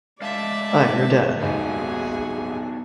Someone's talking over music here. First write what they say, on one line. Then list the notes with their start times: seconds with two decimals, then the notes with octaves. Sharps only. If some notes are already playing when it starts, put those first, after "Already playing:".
I'm your dad.
0.22 G#3 A3 D5 E5 F5 A5
1.41 D#1 G#2 B3 D4 D#4 F#4 G#4 G#5